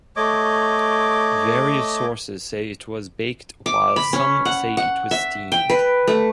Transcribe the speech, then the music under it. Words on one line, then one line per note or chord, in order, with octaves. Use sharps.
Various sources say it was baked while some say steamed.
A3 C#5 D#5 D6
D6
B5
C#4
F#5
F#5
E5
G5
B4
A3